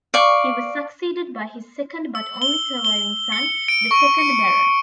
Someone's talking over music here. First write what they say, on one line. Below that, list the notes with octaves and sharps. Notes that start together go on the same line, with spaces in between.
He was succeeded by his second but only surviving son, the second Baron.
D5 F5 C#6
E6
G7
G7
C#7
D7
C#6
C#7